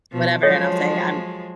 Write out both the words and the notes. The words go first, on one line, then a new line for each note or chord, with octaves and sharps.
whatever, and I'll say, "I'm,
B2 F3
F3 F#3 G#3 A4 C#5